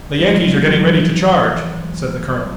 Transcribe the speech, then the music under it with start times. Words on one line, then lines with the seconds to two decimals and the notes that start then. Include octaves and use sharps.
"The Yankees are getting ready to charge," said the colonel.
0.20 F3 G3
0.37 F#3 G#3
0.54 F3 G3
0.71 E3 F#3